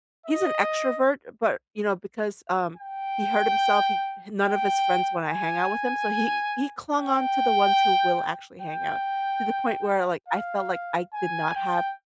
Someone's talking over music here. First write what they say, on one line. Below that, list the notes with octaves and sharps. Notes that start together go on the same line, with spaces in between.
He's an extrovert, but, you know, because, um, he hurt himself, he h none of his friends wanna hang out with him, so he he clung on to the ones who will actually hang out, to the point where, like, I felt like I did not have
D#5
G5
G5
G#5
G5
G5
F5
G#5
G5